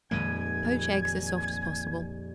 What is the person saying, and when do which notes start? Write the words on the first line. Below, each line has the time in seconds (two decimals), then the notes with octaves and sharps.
Poach eggs as soft as possible.
0.11 D#1 F2 G#3 A#3 G#5 G#6 D#7